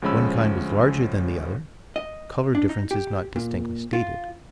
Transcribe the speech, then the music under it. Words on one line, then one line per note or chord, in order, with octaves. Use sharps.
One kind was larger than the other: color-differences not distinctly stated.
D2 F3 G#3 C#4 B5 E6
D#5
D4
D#4
G4
A#2
F4